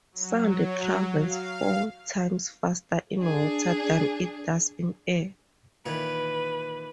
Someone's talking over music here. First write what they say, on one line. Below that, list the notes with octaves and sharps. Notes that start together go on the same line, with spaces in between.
Sound travels four times faster in water than it does in air.
F#3
F5
D4 G#4
A#2 D#3 E3 B4